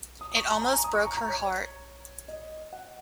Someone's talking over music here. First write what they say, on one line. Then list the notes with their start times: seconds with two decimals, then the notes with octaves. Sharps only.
It almost broke her heart.
0.21 D#6
0.32 D#6
0.36 C#6
0.51 A#5
0.62 G#5
0.73 A#5
0.84 D#6
0.95 C#6
1.07 A#5
1.17 A#5
1.29 C#5
2.28 D#5
2.73 F#5